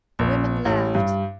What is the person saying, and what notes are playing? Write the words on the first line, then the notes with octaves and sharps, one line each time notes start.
The women laughed.
A#1
A1
G2